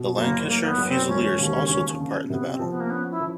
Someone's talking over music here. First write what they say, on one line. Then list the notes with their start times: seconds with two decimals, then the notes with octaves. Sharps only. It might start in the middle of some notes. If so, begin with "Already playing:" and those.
The Lancashire Fusiliers also took part in the battle.
Already playing: B2
0.17 F#1 A#3
0.48 F#1 A#3
0.61 A#3
0.68 B3
0.78 F#1
0.88 C4
1.08 E1 C#4
1.39 D#2
1.69 C#3
2.00 C#3
2.29 C3 B3
2.50 C4
2.59 F3
2.70 B3
2.80 A#3
2.90 B3 C#4
3.11 E4
3.20 F3